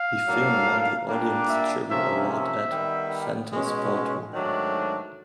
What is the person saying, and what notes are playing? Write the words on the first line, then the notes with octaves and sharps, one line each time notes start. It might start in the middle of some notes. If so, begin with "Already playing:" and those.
The film won the "Audience Jury Award" at Fantasporto.
Already playing: F5
A2 F#3 A#3 D4
A#2 G3 A#3 D4
E5
C3 F3 A#3 C#4 E5
E5
D#3 G3 B3
B2 G#3 C#4
G#2 D#3 F#3 A3 D4